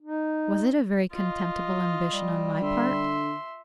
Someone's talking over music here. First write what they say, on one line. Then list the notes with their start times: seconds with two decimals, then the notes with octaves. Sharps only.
Was it a very contemptible ambition on my part?
0.02 D#4
1.12 F4 D#5
2.13 G3
2.61 D3 E5 C6